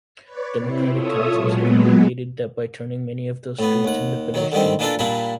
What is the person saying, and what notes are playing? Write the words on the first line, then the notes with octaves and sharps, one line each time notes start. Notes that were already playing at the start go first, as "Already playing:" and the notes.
Democratic councils have alleviated that by turning many of those streets into pedestrian streets.
B4 C#5 D5
C3 C4 E4
F4 A4 C#5 E5 D#6
A#2 F#3 G#3 B3
A2 B3
D#2 F#5
D#3 F#3
D3 D#3 G3 C4
E3 A#3 D4 F4 A4 D5
A#2 G3 A#3 D4 E4